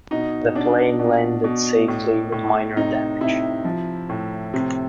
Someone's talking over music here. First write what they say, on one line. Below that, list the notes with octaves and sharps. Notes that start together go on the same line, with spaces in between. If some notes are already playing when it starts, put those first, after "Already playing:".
The plane landed safely with minor damage.
B2 D#4
B2 D4
B2
B2
A2
A2
C3 D#4
C3 E4
F3
A2
C3